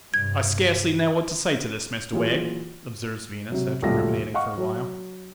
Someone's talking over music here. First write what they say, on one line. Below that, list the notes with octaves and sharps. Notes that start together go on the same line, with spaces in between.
'I scarcely know what to say to this, Mr Wegg,' observes Venus, after ruminating for a while.
G2 C3 G#6
A#2 E3 F#3 F4 G4 G#4
C3 F#3
D#1 B1 G3 A3 F4 A#6
D#5 F5 F#5 C#6
F#3